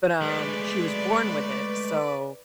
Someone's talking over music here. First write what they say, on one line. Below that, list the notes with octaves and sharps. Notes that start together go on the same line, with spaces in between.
but, um, she was born with it, so
G#3 A3 B4 D5